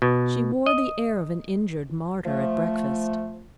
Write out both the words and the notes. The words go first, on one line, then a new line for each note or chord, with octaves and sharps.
She wore the air of an injured martyr at breakfast.
B2
D#5
F3 A3